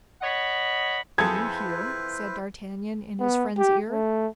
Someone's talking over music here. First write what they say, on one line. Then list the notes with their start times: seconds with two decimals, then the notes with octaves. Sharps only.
"Do you hear?" said D'Artagnan in his friend's ear.
0.22 C#5 D#5 F#5 B5
1.18 F2 E4 G#4 A4 B4 C5 G#6
3.19 B3
3.58 G4
3.90 A3